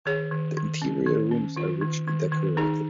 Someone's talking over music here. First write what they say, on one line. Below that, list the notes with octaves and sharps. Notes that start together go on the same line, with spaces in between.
The interior rooms are richly decorated.
D#3 G#4 C#5
D#3
D#3
C#4
D#3
C#4
D#3 F4
D#3
D#3
D#3
D#3 D#4 G#4